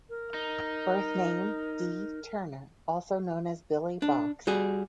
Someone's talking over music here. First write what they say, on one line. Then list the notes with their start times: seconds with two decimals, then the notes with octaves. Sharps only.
Birth name D. Turner, also known as Billy Box.
0.09 A#4
0.34 D#4
4.02 D4
4.47 G3 F#4 G#4